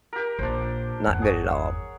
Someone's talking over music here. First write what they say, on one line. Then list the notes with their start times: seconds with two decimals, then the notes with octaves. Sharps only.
not good at all.
0.13 G4 A#4
0.39 A#1 D4 F4 C5
1.07 G1 E2 F#5
1.22 G#4 C#5